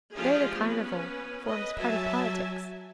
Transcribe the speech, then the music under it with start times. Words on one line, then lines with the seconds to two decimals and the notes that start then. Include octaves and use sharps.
There the Carnival forms part of politics.
0.14 F3 G#3 D4 F4 G4 G#4
0.56 B3 C#4 B4
1.46 B4 D#5
1.77 F#3 E5 G#5 A5